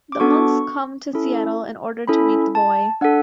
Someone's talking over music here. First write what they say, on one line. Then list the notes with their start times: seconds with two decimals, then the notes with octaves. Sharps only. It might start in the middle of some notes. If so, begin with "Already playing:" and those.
The monks come to Seattle in order to meet the boy.
0.12 D6
0.20 B3 D4 F#4 A4 C#6
1.13 C#4 E4 A4
2.07 C#4 E4 A4 B5
2.55 A5
3.01 D4 A4 F#5